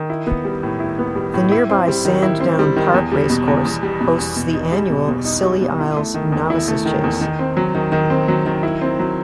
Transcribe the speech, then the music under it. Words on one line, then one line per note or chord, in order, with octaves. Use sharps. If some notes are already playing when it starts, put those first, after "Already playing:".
The nearby Sandown Park Racecourse hosts the annual Scilly Isles Novices' Chase.
Already playing: D#3
E4
B3
G3
A2
E4
B3
G3
A2
E4
C4
G3
D#3
E4
C4
G3
D#3
E2
G3
B2
E2
E2
G3
B2
E2
B2
D#4
G3
B2
B2
D#4
G3
B2
E4
A3
D#3
E2
E4
A3
D#3
E2
D#3
C4
F#3
D#3
D#3
C4
F#3
D#3
E4
C4
F#3